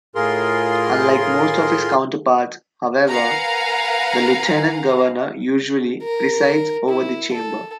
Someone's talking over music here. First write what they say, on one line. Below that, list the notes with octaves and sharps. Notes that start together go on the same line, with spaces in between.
Unlike most of his counterparts, however, the lieutenant governor usually presides over the chamber.
A2 F4 G#4 A#4 C6
A#4 B4 F5 F#5 G#5 A#5
A#4
E4
A4